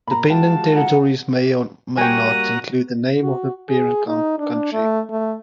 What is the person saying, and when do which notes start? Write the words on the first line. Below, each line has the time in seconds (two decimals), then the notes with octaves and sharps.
Dependent territories may or may not include the name of the parent country.
0.08 A#2 A#5 B5
0.30 G#3 F4 F#4 G5 A5
0.75 D#4 F#5
1.98 G3 A#3 F#4 G5 G#5 A#5 C#6 D#7
3.23 F#4
3.69 G#4
4.07 D#4
4.39 D4
4.73 A3
5.10 A3